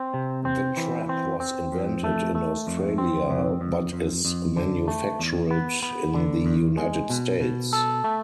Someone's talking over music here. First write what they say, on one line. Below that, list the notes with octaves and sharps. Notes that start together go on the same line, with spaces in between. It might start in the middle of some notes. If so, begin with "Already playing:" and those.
The trap was invented in Australia, but is manufactured in the United States.
Already playing: C4
C3
C4
E3
C4
C4
F2
A3
A3
F2
C4
F2
F2
F2
F2
D3
A3
E2
B3
B3
D3
E2
G#3
B2
B2
A4
A3